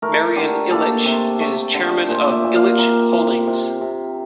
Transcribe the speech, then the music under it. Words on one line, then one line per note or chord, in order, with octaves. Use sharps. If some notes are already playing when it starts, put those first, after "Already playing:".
Marian Ilitch is Chairman of Ilitch Holdings.
A3 A#4
D3 G4
A#3 A4
C3
A3
D3
A#2 C5
D5
E5
A#2
F5
C3 A#5
C3
C3
C3